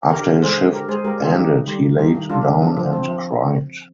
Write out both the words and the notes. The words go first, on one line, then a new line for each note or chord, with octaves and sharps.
After his shift ended he laid down and cried.
D3 G4 A#4
D3
G#3 G#4 C5
D3
D3 G4 A#4
G#3 G#4 C5
G#3 G4 A#4
D3 F4 G#4
D#3 D#4 G4
D#3
G3
D#3
G3 D#4
D#3
G3 D4 F4
D#3
F3 D4
F3
C4
F3